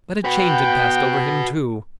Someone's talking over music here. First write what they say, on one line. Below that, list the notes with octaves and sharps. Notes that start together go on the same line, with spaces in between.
But a change had passed over him, too.
F#4 B4 F#5 G5